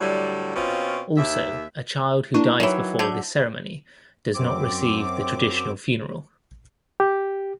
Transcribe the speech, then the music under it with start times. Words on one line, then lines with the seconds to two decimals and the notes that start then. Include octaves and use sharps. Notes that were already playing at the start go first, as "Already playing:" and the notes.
Also, a child who dies before this ceremony does not receive the traditional funeral.
0.01 A2 D3 F#3 G3 E4
0.56 B2 C4 C#4 F4
1.17 D#2 E5
2.34 A#3 D4 E4
2.60 D#3 E3 F#3 C#5
2.99 D3 G6 G#6
4.35 F#2 C4 D6
7.00 G4